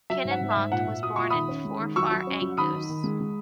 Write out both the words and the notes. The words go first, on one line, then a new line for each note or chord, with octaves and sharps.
Kininmonth was born in Forfar, Angus.
F#3 E5
G#2
F#5
G#2
E5
G#2
A#2 F#5
A#2
F#4 D#6
A#2 C#6
D#3 B5 D#6
C#4
G#3
D#3
F#3 C#6 E6
F#3
C#4
F#3
D#3 B5 D#6
D#4
D#3
G#3
G#3